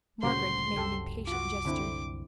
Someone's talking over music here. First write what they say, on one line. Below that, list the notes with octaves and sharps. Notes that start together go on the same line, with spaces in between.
Margaret made an impatient gesture.
D2 A#2 C#3 G3 F#4 C5 C6
C2 F#2 G4 A4
F4 F#4 D6
D3 C4 E4